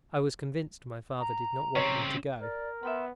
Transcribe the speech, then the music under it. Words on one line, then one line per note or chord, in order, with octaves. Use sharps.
I was convinced my father did not want me to go.
A#5
C#3 C4 C#5
A#4 D5
B3 E5 G5 B5 C6